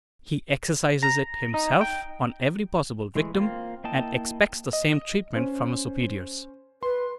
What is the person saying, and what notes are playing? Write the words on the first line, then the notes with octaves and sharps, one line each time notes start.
He exercises it himself on every possible victim, and expects the same treatment from his superiors.
A#5
D#4
G5
E3 G#3 A3
A#3 C4 F4
A#3 E4 D#5 G5 A5
D#5
C#4 C5
B4 C6